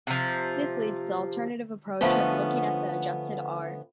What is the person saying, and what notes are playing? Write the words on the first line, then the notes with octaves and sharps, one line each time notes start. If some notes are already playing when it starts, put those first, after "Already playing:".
This leads to the alternative approach of looking at the adjusted "R".
C3 F3
D3 F3 A3 B3 C#4